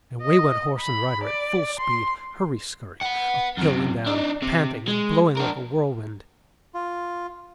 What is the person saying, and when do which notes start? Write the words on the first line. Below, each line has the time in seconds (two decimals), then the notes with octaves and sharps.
And away went horse and rider at full speed,--hurry-scurry,--up hill and down,--panting and blowing like a whirlwind.
0.22 D#5
0.79 B5
1.25 D5
1.80 C6
3.03 B4 F#5
3.57 F#2 C3
4.06 D4 D#4
4.42 C3
4.88 G#3
5.37 D4 A#4
6.74 F4